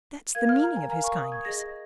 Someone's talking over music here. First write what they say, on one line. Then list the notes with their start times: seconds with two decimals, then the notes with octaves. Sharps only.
That's the meaning of his kindness.
0.35 A#4 F5 G#6
0.49 F6
0.63 A#5
0.76 G#5
0.90 A#4 F5 A#5
1.04 C#6
1.17 D#6
1.32 G#6
1.45 G#4 D#5 A#6